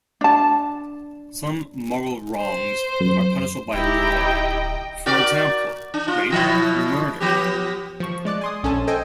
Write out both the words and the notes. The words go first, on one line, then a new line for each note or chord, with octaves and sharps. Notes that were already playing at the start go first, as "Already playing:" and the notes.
Some moral wrongs are punishable by law, for example, rape or murder.
D4 A5
C5
F#2
D1 D#4 E4 G4 D#5 G5
F#4 A#4 D5
D4
F4
B2 F3 E4
F3 B3 G4
F3 C#6
G#3 D5 D6 F#6
G#5 C6 D#6
A#1 C#4 A4 G#5 A5
A4 C5 D#5 G5 G#5